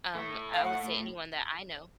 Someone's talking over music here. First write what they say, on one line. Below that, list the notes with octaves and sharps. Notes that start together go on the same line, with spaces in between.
Um, I would say anyone that I know.
A2 A3
F5
F#5